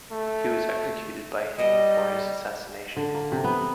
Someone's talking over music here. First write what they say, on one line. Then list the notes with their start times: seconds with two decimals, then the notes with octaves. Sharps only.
He was executed by hanging for his assassination.
0.12 A3
1.58 G3 D#5
2.96 D3
3.14 A#3
3.32 C3
3.44 B3